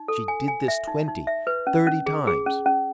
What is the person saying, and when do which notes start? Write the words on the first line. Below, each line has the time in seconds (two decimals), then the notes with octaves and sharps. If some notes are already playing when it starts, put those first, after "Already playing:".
She did this, twenty, thirty times.
Already playing: D#4
0.08 A4
0.28 G#5
0.48 G#5
0.68 E5
0.87 D#4
1.08 D#4
1.27 E5
1.47 B4
1.67 C#4
1.87 C#4
2.06 G#4
2.27 G#4
2.46 C#4
2.66 C#4